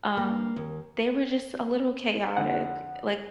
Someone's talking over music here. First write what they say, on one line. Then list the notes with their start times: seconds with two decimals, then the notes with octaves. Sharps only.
um, they were just a little chaotic. Like
0.17 A#3
0.56 D#2
2.37 F2 D3 F#5